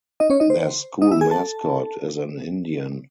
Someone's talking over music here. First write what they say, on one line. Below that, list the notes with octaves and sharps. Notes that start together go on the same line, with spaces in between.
Their school mascot is an Indian.
D#4 D#5
C#4 C#5
D#4 D#5
C5
D#4 D#5
E4 E5
G#4 G#5
A4 A5